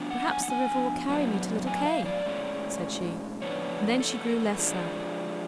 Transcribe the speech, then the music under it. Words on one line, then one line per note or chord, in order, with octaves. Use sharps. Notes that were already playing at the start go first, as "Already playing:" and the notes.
"Perhaps the river will carry me to little Kay," said she; and then she grew less sad.
Already playing: F3 B3 D4
F#5
G#5
F#5
G#5
A2 F#3 B3 D4
G#5
F5
D5
A2 G#3 C#4
A2 F3 B3 D4 C#5
A4
F3 G#3 D4